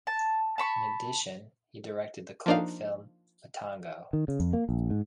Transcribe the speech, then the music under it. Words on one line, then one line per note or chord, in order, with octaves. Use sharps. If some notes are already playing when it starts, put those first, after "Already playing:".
In addition, he directed the cult film "Matango".
A5
A5 B5 C#6
F3 A#3 D4 D#4 F5
D#3
C#3
F2
A#3
A#1
G#2